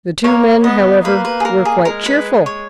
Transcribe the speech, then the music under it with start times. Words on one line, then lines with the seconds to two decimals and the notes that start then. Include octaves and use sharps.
The two men, however, were quite cheerful.
0.23 A#3 C#5
0.64 B3 D#5
1.05 A#3 B4
1.25 B4
1.40 G#4
1.45 A#4
1.65 G#4
1.85 G#3 A#4
2.06 B4
2.46 C#5